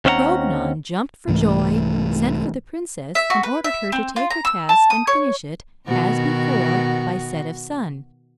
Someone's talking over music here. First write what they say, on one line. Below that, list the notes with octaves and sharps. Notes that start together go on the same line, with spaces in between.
Grognon jumped for joy, sent for the princess, and ordered her to take her task, and finish it, as before, by set of sun.
D#2 C4 C#4 E5 F#5 A#5
C2 G#2 E3 A3
E5
F#4
B4
E5
C4
F4
A#5
E6
A5
D#6
C#5
B2 D#3 F#4